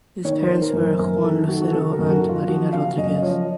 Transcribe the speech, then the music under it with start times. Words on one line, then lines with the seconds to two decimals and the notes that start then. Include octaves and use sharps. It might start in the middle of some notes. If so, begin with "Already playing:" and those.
His parents were Juan Lucero and Marina Rodriguez.
0.25 D#3 C#5
0.43 C5
0.49 D#3
0.62 A#4
0.73 F#2
0.99 F#2 A#4
1.24 D#3 A4
1.42 A4
1.48 D#3 F#4
1.62 F#4
1.73 C#3 A4
1.93 A#4
1.99 F#2
2.10 F#4
2.23 F#2
2.29 F4
2.48 F3 F#4
2.73 C#3 F5
2.97 F#2 D#5
3.18 D#5
3.22 F3 C#5